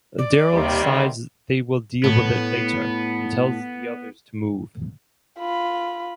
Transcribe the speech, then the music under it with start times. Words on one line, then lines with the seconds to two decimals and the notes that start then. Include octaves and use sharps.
Daryl decides they will deal with it later and tells the others to move.
0.18 D5
0.52 D#2 C3 D#3 G3
0.84 D3
2.04 A2 B3
5.39 F4 B5